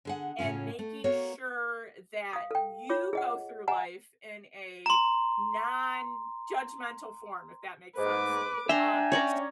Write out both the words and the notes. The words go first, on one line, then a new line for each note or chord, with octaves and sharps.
and making sure that you go through life in a nonjudgmental form, if that makes sense. Um, it's
D3 G#4 F#5
A2 C#3 F3 C#4 F4
A3
A#3 B3 F#4 C#5
F5 D#6
A4 G5
F4 C#5 D6
G#4 D#5 F#5
D#5 F#5 G#5 A#5
A#5 C6
G#2 B4 D6
D4 E5 G5 G#5 A#5 C6
C#4 C#5 D5 A#5